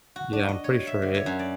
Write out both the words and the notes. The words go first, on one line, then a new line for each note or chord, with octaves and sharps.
Yeah, I'm pretty sure it
F#4
D4
D#5
C#5
E5
D3
C#5
F#2
D5